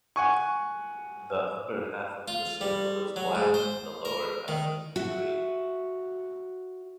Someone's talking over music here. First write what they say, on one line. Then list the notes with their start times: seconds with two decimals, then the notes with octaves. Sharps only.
The upper half of the circle is black and the lower half green.
0.16 F#5 G#5 C#6
2.28 F4
2.61 G3
3.16 F#3
3.35 G#2
3.54 C5
4.05 A#4
4.48 D#3
4.96 F#4 E5